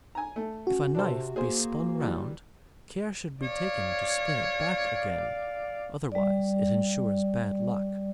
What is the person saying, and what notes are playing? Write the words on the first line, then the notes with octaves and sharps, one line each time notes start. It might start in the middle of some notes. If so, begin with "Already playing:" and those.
If a knife be spun round, care should be taken to spin it back again, otherwise it insures bad luck.
G#5 A#5
A3
C#4 F#4
C3 D4 A4 C5
A#3 G#4 C5
E3 F#3 G3
C#5 D5 F5
G3 D5